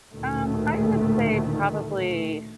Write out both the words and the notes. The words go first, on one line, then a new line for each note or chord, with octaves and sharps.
Um, I would say probably
A1 D2 A#2 D#3 A3